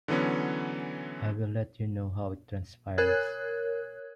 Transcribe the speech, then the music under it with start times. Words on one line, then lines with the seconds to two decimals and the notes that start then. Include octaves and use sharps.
I will let you know how it transpires.
0.08 D3 E3 F#3 B3 C#4
2.98 A#4 C#5 F#6 G#6